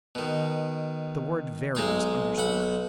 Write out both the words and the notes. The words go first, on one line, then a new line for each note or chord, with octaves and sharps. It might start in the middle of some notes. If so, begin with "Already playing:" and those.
The word 'very' was underscored.
B2 D#3
B1 G#3 D#4 C6
B1 F#5 B5